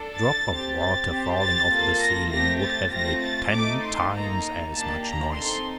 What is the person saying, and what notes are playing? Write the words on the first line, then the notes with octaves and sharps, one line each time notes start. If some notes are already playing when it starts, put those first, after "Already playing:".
"A drop of water falling off the ceiling would have made ten times as much noise!"
Already playing: D4 A4
A6
C4 G4
A6
C4 G4
A6
A#3 F4 A4
A#6
A3 C4 G4 A#6
A6
A3 C4 F4 A#6
A6
A3 D#4 A4 D6
C6
A#3 D#4 A4 A#5
A#3 D4 G4 A5
A#5
C4 D#4 A4 C6